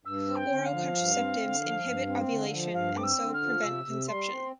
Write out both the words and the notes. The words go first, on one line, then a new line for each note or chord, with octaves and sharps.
Oral contraceptives inhibit ovulation and so prevent conception.
G2 E6
C4
G5
D3
F5
F3
G2
C4
D3
F3
G2
C4
D3
F3
G2 F5
C4 D6
E6
D3
F6
F3
C3 E6
C3
G3 C6
C4